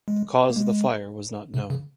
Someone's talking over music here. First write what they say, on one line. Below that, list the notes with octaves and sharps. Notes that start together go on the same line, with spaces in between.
The cause of the fire was not known.
G#3
A#3
G#3
C3
C#3